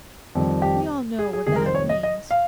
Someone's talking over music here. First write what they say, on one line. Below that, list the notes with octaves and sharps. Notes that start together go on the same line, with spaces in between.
We all know what that MEANS.'
F2 D#3 G3
G4
G#4
G#4
F2 C3 D#3 G3 G#4
A#4
C5
C#5
D#5
D#5
F5